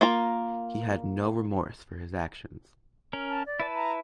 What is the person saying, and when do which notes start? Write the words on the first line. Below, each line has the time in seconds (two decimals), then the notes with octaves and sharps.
He had no remorse for his actions.
0.01 A#3 F4 A#5
3.13 C#4 A#4
3.29 A5
3.46 D5
3.60 E4 B4 A5
3.75 A#5